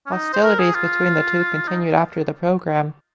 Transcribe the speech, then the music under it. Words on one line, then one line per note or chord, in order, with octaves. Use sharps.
Hostilities between the two continued after the program.
C#4
D#4
C5
A#4
G#4
F4
D#4